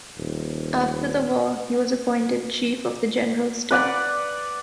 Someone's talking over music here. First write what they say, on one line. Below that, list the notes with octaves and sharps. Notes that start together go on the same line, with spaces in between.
After the war he was appointed Chief of the General Staff.
D#1
B4 D5 F#5